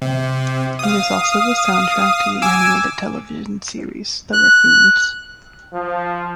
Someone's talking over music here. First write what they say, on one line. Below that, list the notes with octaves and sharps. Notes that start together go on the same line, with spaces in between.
It is also the soundtrack to the animated television series, "The Raccoons".
C3
F5 D#6
G#5 D6 E6
F#6
F3